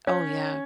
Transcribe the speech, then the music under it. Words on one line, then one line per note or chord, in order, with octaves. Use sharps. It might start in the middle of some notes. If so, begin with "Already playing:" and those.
Oh yeah.
C#4 C#5